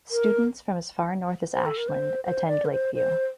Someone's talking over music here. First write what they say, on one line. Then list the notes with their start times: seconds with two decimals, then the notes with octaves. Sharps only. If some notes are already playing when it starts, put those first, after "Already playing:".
Students from as far north as Ashland attend Lakeview.
0.11 A#4
1.53 C5
1.66 A4
1.77 A#4
1.88 C5
2.25 C5
2.47 D5
2.65 A#4
2.72 C5
2.95 C5